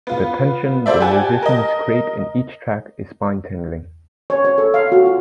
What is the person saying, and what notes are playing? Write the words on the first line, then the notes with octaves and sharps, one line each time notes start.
The tension the musicians create in each track is spine tingling.
B3 F4
F4 A4 C5 D5 E5
G4 F#5 G#5 A5
A#4 D#5
C#5
C#5
A4
F5
F#4
F4